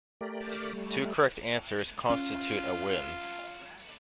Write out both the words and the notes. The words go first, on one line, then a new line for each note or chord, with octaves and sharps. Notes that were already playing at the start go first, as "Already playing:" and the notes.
Two correct answers constitute a win.
A3 G4 A#4 D5
G3 A3
C#4 F4